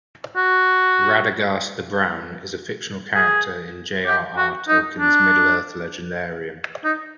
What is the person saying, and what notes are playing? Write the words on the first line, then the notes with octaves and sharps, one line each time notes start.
Radagast the Brown is a fictional character in J. R. R. Tolkien's Middle-earth legendarium.
F#4
G#4
G4
F#4
D#4
D4
D#4